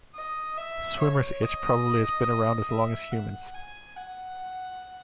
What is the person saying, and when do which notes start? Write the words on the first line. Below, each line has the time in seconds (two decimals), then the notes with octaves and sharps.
Swimmer's itch probably has been around as long as humans.
0.15 D#5
0.57 E5
0.99 C#5
1.42 D#5
2.70 E5
3.12 F#5
3.54 G#5
3.97 F#5